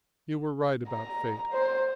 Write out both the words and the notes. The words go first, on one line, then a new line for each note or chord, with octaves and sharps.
You were right about Fate.
A#5
C5